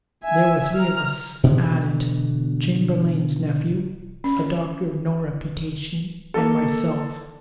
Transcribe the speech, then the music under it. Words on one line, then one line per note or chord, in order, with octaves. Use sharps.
There were three of us at it: Chamberlayne's nephew; a doctor of no reputation; and myself.
E5 G#5
A#5 F6
B2 D3 E3 B3
C#4
A#3 A4